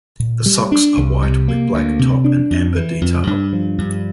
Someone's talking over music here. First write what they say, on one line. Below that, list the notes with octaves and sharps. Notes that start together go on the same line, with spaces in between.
The socks are white with black top and amber detail.
A#2
G3
D4
C2
C3
A#3
D2
C3
D4
F2
E3
F2
G2
F3
G2